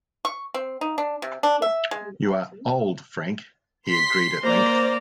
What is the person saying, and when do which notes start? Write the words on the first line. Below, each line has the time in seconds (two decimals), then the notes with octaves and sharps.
"You are old, Frank," he agreed at length.
0.25 C#6
0.54 C4
0.81 D#4
0.98 D4
1.22 C3
1.43 D4
1.62 E5
1.91 G#3
3.88 C6 B6 C7
4.42 A#3 C5 D5 A#5